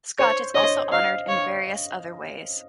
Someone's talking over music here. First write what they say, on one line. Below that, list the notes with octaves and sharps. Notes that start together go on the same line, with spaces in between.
Scott is also honored in various other ways.
C5 C#5
C#5 D#5
D#5 F5
C#5 F5